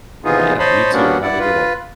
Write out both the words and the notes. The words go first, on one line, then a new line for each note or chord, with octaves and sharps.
No. Yeah. You too. Have a good one.
C3 E3 B3 D#4 F4 G#4
C5 C#5 D#5 A5 B5 C6
G3 A#3 B3 C#4 D4 F#4
E4 D5 F#5
F4 B4